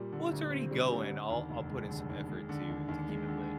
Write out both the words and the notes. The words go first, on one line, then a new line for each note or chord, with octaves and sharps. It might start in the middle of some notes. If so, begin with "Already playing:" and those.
"Well, it's already going, I'll I'll put in some effort to to keep it lit."
Already playing: A#2 G3
D3
D2
C4
G3
D3
D3
D#2
F1
G#3
D3
D#2
G#3
D3
D#2
D#2
G#3
D3